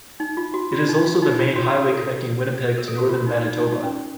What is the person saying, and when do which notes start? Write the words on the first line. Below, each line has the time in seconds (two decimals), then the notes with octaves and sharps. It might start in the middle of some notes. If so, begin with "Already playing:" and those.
It is also the main highway connecting Winnipeg to northern Manitoba.
0.20 D#4
0.37 F4
0.54 F#4
0.72 F4
0.89 D#4
1.06 F4
1.22 D#4
1.39 F4
1.56 F#4
1.90 A4
2.78 A#4
2.88 A4
2.98 F#4
3.09 F4
3.27 D#4
3.44 D#4
3.60 D#4
3.83 C#4